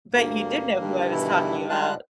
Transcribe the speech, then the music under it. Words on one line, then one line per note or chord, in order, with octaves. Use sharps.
but you did know who I was talking about.
D2 G2 A#3
G2 D3 D#3
B2 E3 E4
G3 G#3 D4 F4 F#6